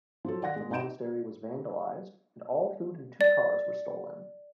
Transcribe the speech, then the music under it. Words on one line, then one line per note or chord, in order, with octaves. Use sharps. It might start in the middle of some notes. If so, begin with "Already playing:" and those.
The monastery was vandalized and all food and two cars were stolen.
F3 F#3 A4
D#3 D5 F#5 A#6
G#3
C3 D#4 A#5 G6 D7 E7
D5